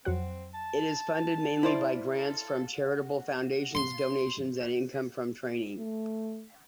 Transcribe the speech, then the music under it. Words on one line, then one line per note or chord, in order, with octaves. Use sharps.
It is funded mainly by grants from charitable foundations, donations and income from training.
F2 F#3 C4 F#5
A5
E4 C5 D5
A4
C6
A3